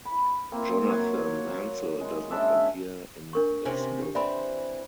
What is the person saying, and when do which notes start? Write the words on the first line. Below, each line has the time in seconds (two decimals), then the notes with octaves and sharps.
Jonathan Mansel does not appear in this book.
0.05 B5
0.52 A#3 C4
0.88 F#3 C#5 F#5 C6
2.01 G#3
2.31 G#3 C#4 D4 E5
3.33 D4 A#4 C#6
3.65 C3 C4 C#4
3.99 D4 G4
4.15 E3 C4 D5 B5